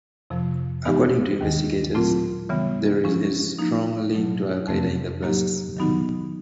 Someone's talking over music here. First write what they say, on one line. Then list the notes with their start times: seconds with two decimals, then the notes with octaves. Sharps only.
According to investigators, there is no strong link to Al Qaeda in the blasts.
0.30 F2 C3 F3
0.85 E3 G#3 B3 D#4 G4
1.41 D#2 D#3 G#3
1.95 A#2 F#3 A3 C4 F4
2.49 C#3 E3 G3 B3
3.04 F3 G#3 C#4 E4
3.59 F3 A#3 D#4
4.13 B2 F#3 A3
4.68 F2 C3 F3 A3 C4
5.22 A2 F#3 A#3 D#4 G4
5.77 D#3 F#3 B3 D#4 F#4